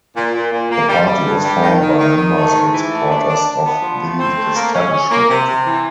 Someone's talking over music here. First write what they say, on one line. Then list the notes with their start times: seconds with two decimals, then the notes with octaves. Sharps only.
The party was formed by members and supporters of the establishment.
0.15 A#2
0.33 A#2
0.51 A#2
0.70 A#3
0.88 G3
1.06 G3
1.25 G2
1.43 G3
1.61 D#3
1.80 D#3
1.98 D#3
2.17 D#3
2.35 A3
2.53 G#2
2.72 E3
2.91 A3
3.09 D4
3.27 D4
3.45 D4
3.64 B3
3.81 F3
4.00 A3
4.18 C4
4.36 A3
4.55 A#3
4.73 C#4
4.92 C#4
5.10 A#3
5.29 C3
5.47 C3
5.65 E3